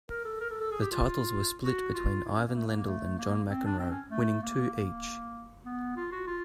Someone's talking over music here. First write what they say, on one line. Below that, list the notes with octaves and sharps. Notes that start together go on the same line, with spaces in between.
The titles were split between Ivan Lendl and John McEnroe, winning two each.
A#4
A4
A#4
A4
A4
G#4
G4
F4
F#4
F4
E4
C#4
A#3
A3
A#3
A#3
A3
A#3
A#3
C4
D4
C4
C#4
A3
A#3
A#3
B3
F4
F#4
F4